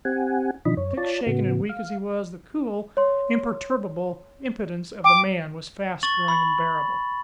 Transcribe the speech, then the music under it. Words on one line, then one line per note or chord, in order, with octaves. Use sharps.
Sick, shaken, and weak as he was, the cool, imperturbable impudence of the man was fast growing unbearable.
C4 G4 F#5 G#5
B2 D#3 F3 D4 D#5 B5
F#2 C#5
F4 C#5 D5 A5
A2 C#3 B3 F#4
F5
C#5 C6
G5 D6
C#6 A6 F#7
B5